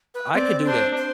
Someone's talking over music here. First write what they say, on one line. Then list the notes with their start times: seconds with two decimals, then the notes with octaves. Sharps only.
I could do that,
0.15 B4
0.35 C4 D5
0.65 D4 C5
0.97 C5